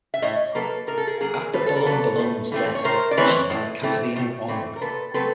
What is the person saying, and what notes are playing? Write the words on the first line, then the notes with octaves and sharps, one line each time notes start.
After Balunbalunan's death, she married Catalino Ong.
E5
A2 C#5 D#5
F#3 A#3 A4 B4
A2 A#4
A4
G#4 A#4
F#3 A#3 G#4 A#4
A2 A4 B4
A4
A#4
F#3 A#3 A4 B4
A2
E3 A3 C4
C#5
A2 A#4 C5
D5
E3 A3 C4 B4 C#5
A2
E3 A3 C4
A2
E3 A3 C4
A#4
A#2 A4 B4
F#3 A3 C4 A4 B4